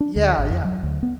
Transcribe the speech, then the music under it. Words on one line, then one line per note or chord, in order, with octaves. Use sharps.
Yeah, yeah.
D4
D2
G#1
F2
F#3
D2
B3